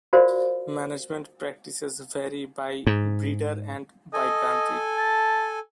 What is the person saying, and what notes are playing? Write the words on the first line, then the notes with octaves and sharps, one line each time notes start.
Management practices vary by breeder and by country.
F4 F#4 A#4 C5 D5 F5
G#2
A4 D#5 G#5
A5